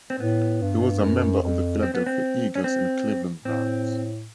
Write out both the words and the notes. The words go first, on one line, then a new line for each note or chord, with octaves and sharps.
He was a member of the Philadelphia Eagles and Cleveland Browns.
C4
A2 B3
G2
F#2
F2
C4
B3
C4
C#4
C4
A2 C4